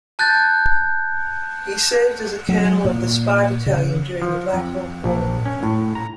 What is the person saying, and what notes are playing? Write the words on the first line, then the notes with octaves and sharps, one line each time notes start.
He served as a Colonel of the "Spy Battalion" during the Black Hawk War.
A5 F#6 G6 A6
F#3
A#2
C#3
F3
F2
A#1
C#4
A2
A#5